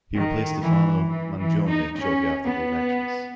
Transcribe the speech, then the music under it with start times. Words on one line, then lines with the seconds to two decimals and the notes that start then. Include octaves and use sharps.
He replaced Stefano Mangione shortly after the elections.
0.16 D#3
0.62 E3
1.08 E3
1.38 E3
1.68 D#4
1.98 C#4
2.44 B3